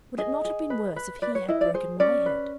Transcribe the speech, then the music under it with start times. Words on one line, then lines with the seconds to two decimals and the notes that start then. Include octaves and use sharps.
Would it not have been worse if he had broken my head?
0.18 G#4 D#5
0.45 G#4
0.70 B4
0.96 B4
1.22 B4 D5
1.35 C#5
1.48 E4 D#5
1.61 D5
1.74 G#4 C5
2.00 C#4 D5
2.26 B4